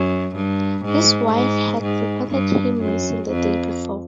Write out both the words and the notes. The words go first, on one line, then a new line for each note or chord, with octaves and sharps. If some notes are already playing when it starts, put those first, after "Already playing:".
His wife had reported him missing the day before.
Already playing: F#2
G2
G#2
G#2
G#2
G2
F#2
F2